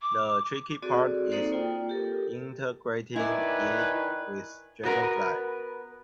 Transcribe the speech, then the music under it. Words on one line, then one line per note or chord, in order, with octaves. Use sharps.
The tricky part is integrating it with Dragonfly.
D6
C4 F#4 G#4 A4 D5
A#3 C4 D#4 A4 C5 D5
A#3 F4 G5
G4 A4 A#4
D#3 E4 B4 D5 G#5
B3 F#4 A#4 B4